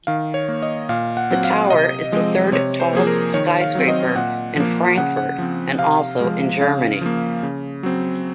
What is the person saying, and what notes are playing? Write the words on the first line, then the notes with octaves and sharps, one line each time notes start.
The tower is the third tallest skyscraper in Frankfurt and also in Germany.
D#3 F5
C#5
A#3
D#5
A#2 F5
F#5
F#3 C4 F#5
F5
C3 D#5
F3 G#3 C4
C3 C#5
C5
F3 A#3 G#4
A#4
D#3 C#5
F5
F#3 C4
D#5
A#2 F#5
F3 A#3
C#3 F#5
F#5
F3 C4
C3 F5
F3 G#3
C#3 F5
F3 A#3
C#3
F#3 C4